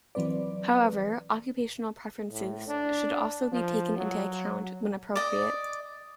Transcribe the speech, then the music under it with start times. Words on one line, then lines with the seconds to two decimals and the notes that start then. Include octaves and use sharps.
However, occupational preferences should also be taken into account when appropriate.
0.15 E3 F#3 C4 B4 D5
2.31 A2
2.67 D4
3.52 F3
3.97 F#3
5.16 D5 D#5